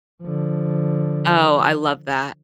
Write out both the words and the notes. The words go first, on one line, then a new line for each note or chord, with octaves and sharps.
Oh, I love that.
D3 F3